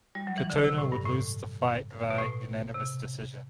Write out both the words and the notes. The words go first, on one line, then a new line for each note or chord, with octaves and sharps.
Katona would lose the fight via unanimous decision.
G3
F#3
E3
D3
C3
A2
G2
A2
B2
A2
C3